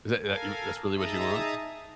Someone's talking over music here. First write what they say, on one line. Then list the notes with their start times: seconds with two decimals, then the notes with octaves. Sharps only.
Is that that that's really what you want?
0.25 A4 A#4 F5 G#5
0.95 D#4 G#4 E5 A5 A#5 D#6